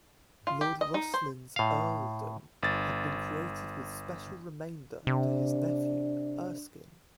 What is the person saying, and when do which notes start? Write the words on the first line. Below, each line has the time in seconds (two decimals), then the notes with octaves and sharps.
Lord Rosslyn's earldom had been created with special remainder to his nephew, Erskine.
0.47 F4
0.61 G4
0.81 D#5
0.94 D#4
1.14 C5
1.56 A2 F5
2.63 G1 A6
5.07 C3 D4